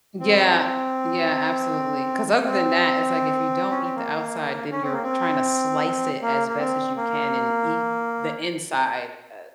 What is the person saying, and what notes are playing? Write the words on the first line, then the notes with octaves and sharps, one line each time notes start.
Yeah, yeah, absolutely. 'Cause other than that, it's like if you don't eat the outside, then you're trying to slice it as best as you can and eat the inside, uh,
C4
C4
C#4
C4
A#3
C#4
C4
A#3
C4
A#3
A#3
C4
A#3